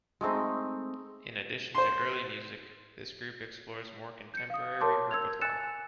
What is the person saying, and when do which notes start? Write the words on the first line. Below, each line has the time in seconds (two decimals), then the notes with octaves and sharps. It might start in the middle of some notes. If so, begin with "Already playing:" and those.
In addition to early music, this group explores more contemporary repertoire.
0.21 G#3 A3 C4 D#4
1.75 C5 C6
4.34 G6 C#7
4.50 F5 D#6
4.80 A#4 C#5 A5 C6 D6 G6
5.11 E6 G#6 F7
5.41 G#5 E6 F#6 A6 C#7 E7